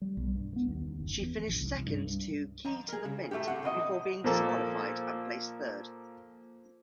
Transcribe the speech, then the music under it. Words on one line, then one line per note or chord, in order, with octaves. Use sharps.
She finished second to Key to the Mint before being disqualified and placed third.
G3
B1
G2
B3
D#2
D#2
F#1
E2
A#1
C2
G2
F2 A#5
G#4 A#4
C#3
A2 A3 A#3 F#4 G4
C4 F#5
B2 D#3 E4 D#5
A#2 F3 A#3 A4